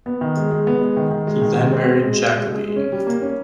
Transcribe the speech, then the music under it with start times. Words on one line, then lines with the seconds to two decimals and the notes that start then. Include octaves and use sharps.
He then married Jacqueline.
0.06 B3
0.21 D#3
0.37 G#3
0.51 G#3
0.67 B3
0.81 G#3
0.97 D#3
1.11 D#3
1.27 G#3
1.42 D#3
1.57 G#3
1.72 C4
1.86 B2
2.01 G#3
2.16 B2
2.32 G#3
2.46 G#3
2.62 G#3
2.76 C#4
2.92 G3
3.07 A#3
3.22 C#4